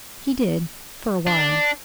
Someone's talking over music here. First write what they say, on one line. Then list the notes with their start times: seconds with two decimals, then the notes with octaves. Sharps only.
He did--for a while.
1.27 D4